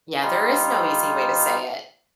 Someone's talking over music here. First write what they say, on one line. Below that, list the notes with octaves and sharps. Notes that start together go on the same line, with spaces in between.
Yeah, there is no easy way to say it.
G3 D#4 F4